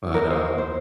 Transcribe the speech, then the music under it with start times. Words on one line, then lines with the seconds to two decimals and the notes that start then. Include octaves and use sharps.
but, uh
0.14 A#4
0.30 C5
0.58 C5